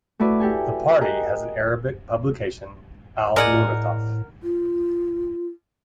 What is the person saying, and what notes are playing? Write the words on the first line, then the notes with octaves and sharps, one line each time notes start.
The party has an Arabic publication, "Al Mounataf".
A3 E4 F#4 B4 D5
E4 G4 A4 G#5
G4 G#4 A#4 D#5 A#5 F#6
A2 G#3 A#4 D5 F#5 G#5
F4